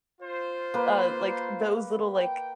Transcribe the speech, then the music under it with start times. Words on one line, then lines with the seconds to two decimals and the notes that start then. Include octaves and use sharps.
uh, like those little like,
0.21 F4 C5
0.74 A#3 B4
2.16 G5